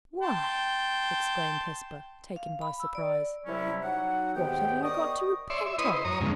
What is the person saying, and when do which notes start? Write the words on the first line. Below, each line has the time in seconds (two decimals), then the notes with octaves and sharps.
"Why!" exclaimed Hesper, taken by surprise, "what have I got to repent of?"
0.22 G5 A5 C6
2.36 F5
2.61 B5
2.80 E6
2.95 D5
3.46 C2 C3 F#3 G3 C#4 E4
3.83 F#3 D#4 F#5
4.34 D#2 G#2 D#3 B3 G5
4.83 A#4 D5 D#5 C#6 D#6
5.50 C#5 D5 E5 C6
5.66 E5
5.78 E4 B4 C#5 D#5 C6 D#6
5.93 C5
6.05 F#2 C#5 A#5 D#6
6.21 F2 B2 D3 G#3 C#4